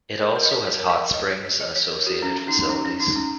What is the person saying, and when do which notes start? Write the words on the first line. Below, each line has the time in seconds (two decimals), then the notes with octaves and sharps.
It also has hot springs and associated facilities.
0.20 A#4
0.36 A#4
0.45 D#5
0.51 C#5
0.67 C#5
0.78 A#4
0.89 C#5
1.14 D#5
1.29 C#5
1.45 C#5
1.60 D#5
1.76 C#5
1.91 A#4
2.07 F#4
2.22 C#4
2.38 C#4
2.48 D#4
2.59 D#4
2.69 C#4
2.85 C#4
3.00 D#4
3.16 C#4